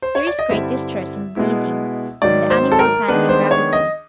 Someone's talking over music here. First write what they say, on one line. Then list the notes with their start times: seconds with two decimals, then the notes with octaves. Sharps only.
There is great distress in breathing, the animal panting rapidly.
0.02 C5
0.15 C#5
0.27 D5
0.39 D#5
0.49 G2 D3 G3 C4 E4 E5
1.36 B2 G#3 B3 E4
2.22 G#2 D#3 F#3 D5
2.50 C5
2.72 A4
2.79 A#4
3.08 D#3 G#3 B3 D4 B4
3.29 C5
3.51 C#5
3.73 D#5